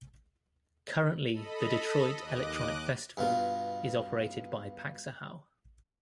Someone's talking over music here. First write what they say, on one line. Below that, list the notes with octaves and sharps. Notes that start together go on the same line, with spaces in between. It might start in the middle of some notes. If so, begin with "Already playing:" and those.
Currently, the Detroit Electronic Festival is operated by Paxahau.
A4 D#5 B5
D#2 D#5 D6 F#6
G2 B2 F4